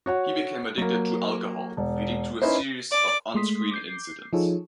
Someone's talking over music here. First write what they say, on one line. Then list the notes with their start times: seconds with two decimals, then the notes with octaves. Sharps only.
He became addicted to alcohol, leading to a series of on-screen incidents.
0.06 F#4 C#5 F#5
0.78 F#3 A#3
1.77 E1
2.42 C#4 D#4 E4 B4 C5
2.91 D5
3.34 G#3 A3 C6 D#6 B6
3.71 D6 G6 C7
4.33 F3 D#4 F4 G#4 A4 C#5